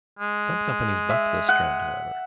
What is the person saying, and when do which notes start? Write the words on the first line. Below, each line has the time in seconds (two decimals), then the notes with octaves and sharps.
Some companies bucked this trend, however.
0.19 G#3
1.10 E5
1.49 F#5